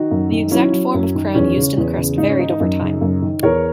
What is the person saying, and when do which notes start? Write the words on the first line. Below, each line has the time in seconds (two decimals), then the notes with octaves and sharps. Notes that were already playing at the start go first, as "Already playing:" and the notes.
The exact form of crown used in the crest varied over time.
Already playing: D#3 D#4 F#4
0.11 F#2
0.32 D#3
0.51 F#3 C#4 E4
0.72 F#3
0.94 F#2
1.15 D#3
1.35 E2 C#4
1.57 C#3
1.77 E2
1.97 C#3
2.18 G#2 D#4
2.29 C#4
2.39 D#3 D#4
2.49 D#4
2.60 F#2
2.81 C#3
3.01 F#2
3.22 D#3
3.43 E2 A#4 C#5